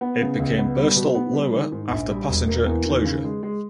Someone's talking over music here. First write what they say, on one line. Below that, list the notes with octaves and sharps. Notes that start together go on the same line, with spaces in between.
It became Birstall Lower after passenger closure.
B3
C#3
C#2
B3
G3
B2
B3
G3
D#3
G#2
A#1
G3
E1
A#3
E2
D#3
C#3
G#3
G#3